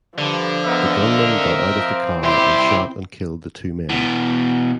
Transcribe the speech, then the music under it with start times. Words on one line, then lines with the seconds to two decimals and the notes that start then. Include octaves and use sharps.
The gunman got out of the car and shot and killed the two men.
0.18 G2 D3 F3
0.65 B3 A#4 D#5 E5
0.99 A#3
1.40 C4
1.76 F3
2.24 C2 E4 G4 C6
3.89 B2 E3